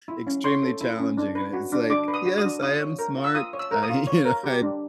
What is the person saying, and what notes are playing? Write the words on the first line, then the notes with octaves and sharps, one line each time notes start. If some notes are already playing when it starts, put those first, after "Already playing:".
extremely challenging, and it it's like, "Yes, I am smart. I you know, I'm
E4
C#4
C#5 C6
A4
E4
C#4
D4
B4
F#4
D4
D4 D6
B4
D#6
F#4
D#6
D4
F4 D#6
C#5
A#4
F4
E6
F4 D#6
C#5
E6
A#4
D#6
F4
C#5
A#4
G4
D4